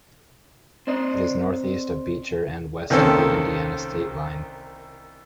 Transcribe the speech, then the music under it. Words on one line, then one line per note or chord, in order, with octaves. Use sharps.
It is northeast of Beecher and west of the Indiana state line.
C4 D5 D#5
C2 D#3 A#3 C#4 A4 C5